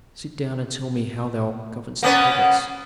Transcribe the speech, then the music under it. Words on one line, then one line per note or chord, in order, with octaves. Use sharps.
"Sit down and tell me how thou governest the province."
A#3 B3 C#4